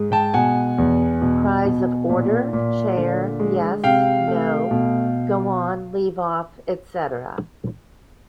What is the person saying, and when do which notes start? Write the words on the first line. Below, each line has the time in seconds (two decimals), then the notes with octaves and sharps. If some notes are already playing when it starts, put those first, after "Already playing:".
Cries of “Order,” “Chair,” “Yes,” “No,” “Go on,” “Leave off,” etc.
Already playing: G#2 G#3
0.12 G5 A5
0.34 B2 F#5 G#5
0.78 E2
1.22 B2
1.65 B2
2.09 A#2
2.53 A#2
2.97 D3
3.40 G#3
3.84 C3 F5 G5
4.28 A3
4.71 B2